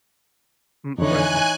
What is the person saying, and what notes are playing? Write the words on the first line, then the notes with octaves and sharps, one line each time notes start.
Hmm, right.
F2 D3 E3 D#4 C#5 G#5 F#6